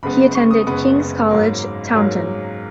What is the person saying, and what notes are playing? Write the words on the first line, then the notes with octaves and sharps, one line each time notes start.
He attended King's College, Taunton.
F#1 F#2 C#3 G#3 B3 B5
C#6
D#6
F#1 F#2 C#3 G#3 B3 B5
G#2 F#3 A#3
G#2 F#3 A#3